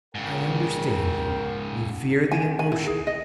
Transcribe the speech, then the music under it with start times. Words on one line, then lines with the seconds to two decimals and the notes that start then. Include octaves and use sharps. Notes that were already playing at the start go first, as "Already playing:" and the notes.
I understand you; you fear the emotion.
0.15 A#1 G#2 C#3 A#4 G5
2.31 G#5
2.59 G#5
2.72 E4
2.87 G#4
3.07 D#5